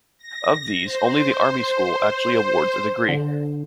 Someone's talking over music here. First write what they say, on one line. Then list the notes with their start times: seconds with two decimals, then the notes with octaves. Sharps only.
Of these, only the Army school actually awards a degree.
0.18 A#6
0.84 C5
3.09 D3